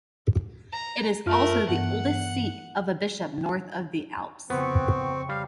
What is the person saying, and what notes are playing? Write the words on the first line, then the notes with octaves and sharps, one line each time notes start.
It is also the oldest seat of a bishop north of the Alps.
A#5
F#2 A3 F4 A#4 F6
G2 E3 B3 F#5
F2 C#3 B3 C4 C#6
G3 F5